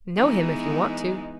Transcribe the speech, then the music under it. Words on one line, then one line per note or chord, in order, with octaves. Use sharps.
"Know him, if you want to."
E3 G#3 B3 D#4